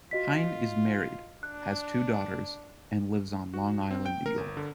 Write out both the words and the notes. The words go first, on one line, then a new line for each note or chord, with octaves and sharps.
Hein is married, has two daughters, and lives on Long Island, New York.
F4 F#4 D#5 B6
D4 F#6
F#4
C4
G5
A#4
G1
D3